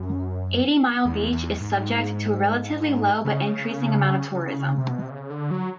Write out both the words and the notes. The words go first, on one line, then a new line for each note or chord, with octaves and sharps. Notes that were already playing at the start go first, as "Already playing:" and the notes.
Eighty Mile Beach is subject to a relatively low but increasing amount of tourism.
Already playing: F#2
E2
E2
G#2
C#3
C3
B2
C3
C#3
D3
F#3